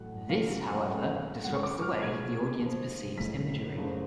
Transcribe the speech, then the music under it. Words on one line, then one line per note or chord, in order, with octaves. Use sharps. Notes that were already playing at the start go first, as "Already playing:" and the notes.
This, however, disrupts the way the audience perceives imagery.
Already playing: A1 A2 F#3 A3 F#5
F#1 F2 C#3 F#3 A3 F5
F#2 C#3 F#3 A3 F#5
F#5
F5
G#1 G#2 F#3 A3 F#5
C#6
D6
F6
B1 B2 G#3 G#6
F1 F2 F3
B1 A2 G#3 B6
F#1 F#2 C#3 F3 A3